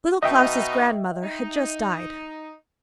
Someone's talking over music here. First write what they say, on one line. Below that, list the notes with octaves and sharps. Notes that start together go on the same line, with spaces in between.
Little Klaus' grandmother had just died.
B2 D#4 D#5 E5 G5
D#4